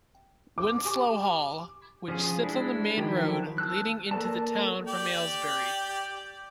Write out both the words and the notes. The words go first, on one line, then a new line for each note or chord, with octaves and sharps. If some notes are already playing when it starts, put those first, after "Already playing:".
Winslow Hall, which sits on the main road leading into the town from Aylesbury.
D6
G4 G#5 C#6
F3 C#4 F4 G#4
G#3 D4 E4 B4
D#3 F3 F#3 E4 G4
A5 E6 F#6
A#3 A4 B4 D5 A5
G4 D5 G5